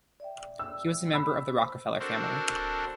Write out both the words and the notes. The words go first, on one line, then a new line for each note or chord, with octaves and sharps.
He was a member of the Rockefeller family.
D5 E5 G5
E6
B5 E6
C5
C4 D4 F#4 A4 A#4 C5